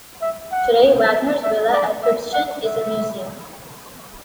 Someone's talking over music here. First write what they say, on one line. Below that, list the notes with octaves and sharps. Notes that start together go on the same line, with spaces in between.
Today, Wagner's villa at Tribschen is a museum.
E5
F#5
E5
E5
D5
E5
F#5
E5